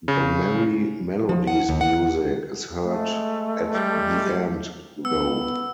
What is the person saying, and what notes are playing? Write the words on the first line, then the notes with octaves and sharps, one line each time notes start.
The Merrie Melodies music is heard at the end though.
C#3
F3
F#5
D#2
F#5
G#3 A3
G3
B3 E6